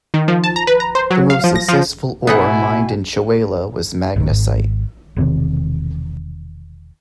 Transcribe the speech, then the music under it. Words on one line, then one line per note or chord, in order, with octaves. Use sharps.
The most successful ore mined in Chewelah was magnesite.
D#3
F3
A5
A#5
B4
A#5
C5
F#3
F5
F3
A#6
F3
B2 B3 D#4 E4 F#5 G#5
D1 A1 D#3
G#1
E1 C3 D#3